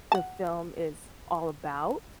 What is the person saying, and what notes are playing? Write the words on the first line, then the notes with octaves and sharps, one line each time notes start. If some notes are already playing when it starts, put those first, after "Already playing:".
the film is all about.
F#5 A5